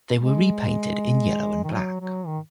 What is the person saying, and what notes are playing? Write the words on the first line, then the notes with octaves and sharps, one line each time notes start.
They were repainted in yellow and black.
G#3
D#3
F#3
F#3
D#3